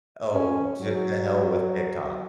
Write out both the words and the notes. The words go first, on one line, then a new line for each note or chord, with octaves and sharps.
Oh, to to hell with TikTok.
C#4
F#3